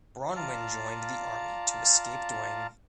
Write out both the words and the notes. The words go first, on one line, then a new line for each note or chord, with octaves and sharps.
Bronwyn joined the army to escape Dwayne.
F4 D5 F5 A5 A#5